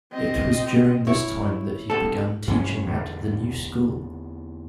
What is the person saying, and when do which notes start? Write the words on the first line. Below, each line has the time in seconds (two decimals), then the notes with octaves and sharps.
It was during this time that he began teaching at The New School.
0.12 C4 D#5
1.07 E4 C#5
1.90 C2 A4
2.47 G2 E3 C#4
2.86 E2 D3